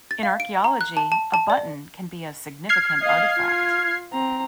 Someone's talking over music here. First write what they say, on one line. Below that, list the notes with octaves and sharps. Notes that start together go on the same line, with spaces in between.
In archaeology, a button can be a significant artifact.
A6
F5
D7
A#5
F#6
A5
A5
A5
D5
F6 G#6 C7
D#5 F5
F4
C4 A#5